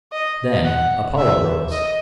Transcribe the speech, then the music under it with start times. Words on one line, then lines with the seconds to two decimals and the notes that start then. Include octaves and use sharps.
Then Apollo rose.
0.12 D#5
0.65 F#5
1.17 E5
1.71 D#5